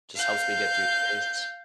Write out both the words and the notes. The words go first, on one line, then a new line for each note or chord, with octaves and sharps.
just helps me get through the days.
F5 G6